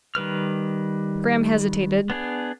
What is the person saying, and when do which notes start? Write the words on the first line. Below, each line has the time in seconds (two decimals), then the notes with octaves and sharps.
Graham hesitated.
0.15 D#3 G3 B4 F6
2.10 B3 D4 G#4